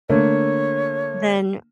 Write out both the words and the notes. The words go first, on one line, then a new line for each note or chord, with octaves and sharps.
then it
D3 A3 A#3 C#5